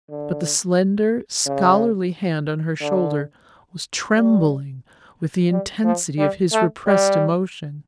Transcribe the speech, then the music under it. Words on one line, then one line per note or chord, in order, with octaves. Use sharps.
But the slender, scholarly hand on her shoulder was trembling with the intensity of his repressed emotion.
D3
C#3
D3
G3
G3
F3
G3
A3
G3